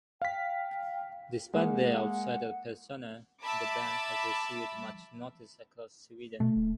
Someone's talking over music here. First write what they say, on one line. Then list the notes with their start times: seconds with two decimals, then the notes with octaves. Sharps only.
Despite their outsider-persona, the band has received much notice across Sweden.
0.22 F5 G5 B6
1.54 G#3 A#3 F#5
3.42 E5 A5 B5 D6
6.40 B2 A3
6.56 D1